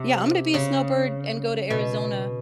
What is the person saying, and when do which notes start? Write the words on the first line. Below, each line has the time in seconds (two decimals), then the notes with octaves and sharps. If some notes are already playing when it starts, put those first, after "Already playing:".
Yeah, I'm gonna be a snowbird and go to Arizona.
Already playing: C3
0.54 C#3
1.70 B2